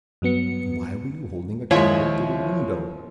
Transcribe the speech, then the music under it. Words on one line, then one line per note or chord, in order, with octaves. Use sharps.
"And why were you holding a candle to the window?"
G2 F#3 B3 C#7
D#2 F3 G#3 E4 F4 C#5 E5